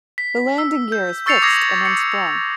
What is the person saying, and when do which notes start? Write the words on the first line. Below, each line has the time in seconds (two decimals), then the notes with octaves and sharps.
The landing gear is fixed and unsprung.
0.18 B6
0.58 E6
0.92 G6
1.26 C#6 E6 A6 C7 C#7 F7
1.42 D6 D#6 G6 G#6 A#6 C7
1.85 C#7